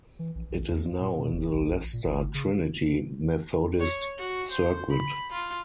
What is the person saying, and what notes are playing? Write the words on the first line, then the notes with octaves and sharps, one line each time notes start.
It is now in the Leicester Trinity Methodist Circuit.
E3
A#1
A#1
E2
A#2
B2
F#1
B1
A1
A#2
G1
C#3
C#5
F#4
C5
B5
F4